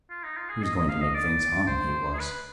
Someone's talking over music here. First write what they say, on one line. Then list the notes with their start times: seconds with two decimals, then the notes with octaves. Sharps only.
He was going to make things hum, he was.
0.10 F4
0.24 D#4
0.37 F4
0.49 G#4
0.63 D#5
0.76 D#5
0.89 F5
1.01 D#5
1.14 D5
1.67 C5
2.14 G#4
2.19 B4